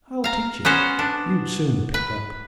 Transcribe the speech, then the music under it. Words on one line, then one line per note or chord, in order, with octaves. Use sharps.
I'll teach you--you'd soon pick it up.'
F5 A#5
B3 C#4 F#4 C5
D4
B4